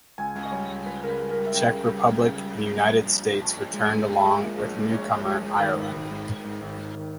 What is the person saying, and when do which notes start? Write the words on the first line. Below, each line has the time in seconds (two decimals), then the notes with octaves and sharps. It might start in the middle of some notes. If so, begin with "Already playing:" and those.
Czech Republic and United States returned along with newcomer Ireland.
0.18 C#2 G#5
0.35 C#2
0.45 D#5
0.52 G3 C#5
0.69 C#2
0.86 C#2 B4
1.03 C#3 A#4
1.08 B4
1.20 G3
1.31 A#4
1.37 G3
1.46 E5
1.54 C#3 G5
1.70 C#3
1.87 G3
2.04 C#2
2.21 C#3
2.38 G3
2.55 G3
2.72 G3
2.89 A#1
3.06 A#1
3.23 A#1
3.40 A#1
3.57 A#1
3.73 G#3
3.91 G#3
4.07 A#1
4.19 E5
4.24 G#3 D#5
4.41 A#2
4.58 A#1
4.75 G#3
4.91 A#1 C#5
5.09 A#1
5.26 G#3
5.42 G#3
5.60 D#3 B4
5.76 G#1
5.93 G#1
6.10 G#2
6.27 G#1
6.44 G#2
6.61 G#1
6.78 G#1
6.95 D#3